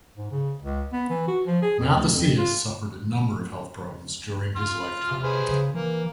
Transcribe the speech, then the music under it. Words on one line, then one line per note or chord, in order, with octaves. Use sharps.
Mathesius suffered a number of health problems during his lifetime.
G#2
C#3
C#2
B3
E3
F#4
F3
G#4
F2
D2
F2
F4
C6 F6
C3
G#4 B4 C5
C#3
E3 A#3